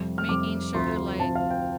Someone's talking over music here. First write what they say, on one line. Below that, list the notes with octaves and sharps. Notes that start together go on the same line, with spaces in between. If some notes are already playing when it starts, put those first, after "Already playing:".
making sure, like,
Already playing: F2 C3 G3
F6
F2 C3 G3 D6
D2 C3 F3 C6
D2 C3 F3 A5
F5
G5